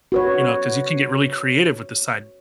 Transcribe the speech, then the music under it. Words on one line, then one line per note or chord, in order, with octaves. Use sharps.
You know, 'cause you can get really creative with the side
F#4 B4 C#5